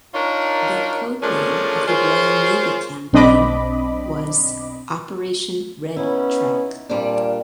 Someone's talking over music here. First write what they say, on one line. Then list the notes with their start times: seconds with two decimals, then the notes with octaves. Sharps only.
The codename of the Royal Navy campaign was "Operation Red Trek".
0.14 D4 D#4 F4 A#4 C#5
1.23 F3 A3 C#4 D4 G#4 A#4
1.88 F4 G#4 A#4 C5 C#5
3.13 B1 C4 D4 D#5 B5 D6
5.97 B3 C#4 D#4 E4
6.89 A#2 G3 C4 D4